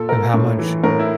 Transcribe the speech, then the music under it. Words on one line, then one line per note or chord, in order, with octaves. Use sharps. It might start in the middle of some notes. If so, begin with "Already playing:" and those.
of how much
Already playing: A#2 A4
A#4
A2
E3
A2 A#4
E4